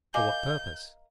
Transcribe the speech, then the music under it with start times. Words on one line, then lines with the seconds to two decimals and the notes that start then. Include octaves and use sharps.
"For what purpose?"
0.14 A#4 D#5 F5 G#5 D6 G6